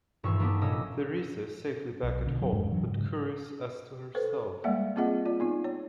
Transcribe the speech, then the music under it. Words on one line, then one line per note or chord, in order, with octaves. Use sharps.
Theresa is safely back at home, but curious as to herself.
D#1 G2 E3 F4 C#6 E6
A#3 B3 D4 E4 G4
F1 A#2 C#4 D#5 E6
B1
B2 D3
F#1 F#3 D4
A1 F2 G#2 G#3
G#2 E3 F#3 D4
G#2 C#3 G#3
A4 B4 C5
G3 G#3 A#3 D5 E5 F#5
A#3 C4 F4 G#4 D#5 F#5
F4 D5
B3 D#4 F4
C#5